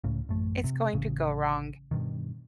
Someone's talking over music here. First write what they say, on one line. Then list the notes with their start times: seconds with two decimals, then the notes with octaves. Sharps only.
it's going to go wrong,
0.04 C#2 A2 C#3
0.29 A1 F#2 A3
0.64 C3
0.93 A1 C#3
1.91 G2 B2 D#3